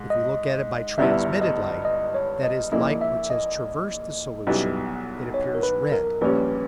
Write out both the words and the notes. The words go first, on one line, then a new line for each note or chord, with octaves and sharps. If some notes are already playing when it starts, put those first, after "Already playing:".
If we look at it by transmitted light, that is, light which has traversed the solution, it appears red.
Already playing: G#2
D#5
G1 G2 G3 B3 E4 E5
D#5
D#5
C#5
D#5
A#1 A#2 A#3 E4 D#5
E5
D#5
B1 B2 G3 B3 E4
C#5
A#4
B4
A#4
A#1 A#2 G3 C#4 B4